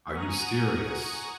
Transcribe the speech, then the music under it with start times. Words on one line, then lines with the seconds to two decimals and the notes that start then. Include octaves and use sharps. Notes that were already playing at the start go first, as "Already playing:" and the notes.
Are you serious?
0.14 F#5 G#5 A#5 C#6 D#6